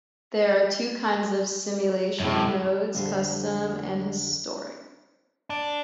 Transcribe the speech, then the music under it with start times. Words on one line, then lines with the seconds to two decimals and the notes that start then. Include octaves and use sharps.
There are two kinds of Simulation modes, Custom and Historic.
2.20 F#2 A2 C3
2.95 F2 D3 G3 F5
5.50 D4